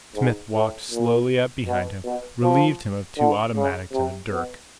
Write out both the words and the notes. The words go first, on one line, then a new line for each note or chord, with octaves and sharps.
Smith walked slowly up behind him, relieved him of two automatics and a dirk.
G#2
A2
A#2
B2
B2
F3
D3
C#3
C3
B2